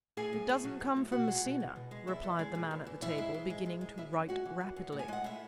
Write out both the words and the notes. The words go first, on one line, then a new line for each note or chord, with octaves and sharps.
"It doesn't come from Messina," replied the man at the table, beginning to write rapidly.
A2 G#4 G#5
A2
A3
F#3
A2
A2
B2 F#4 F#5
G#3
B2
G#3
B2
G#3
E2 E4 E5
E2
G#3
B2
E2
E2
G#2 E4 E5
G#3
G#2
G#3
G#2
G#3
F#2 E4 E5
F#2
G#3 F#4 F#5
E3
F#2
F#2
A2
G#5
G#3 F#5
A2 E5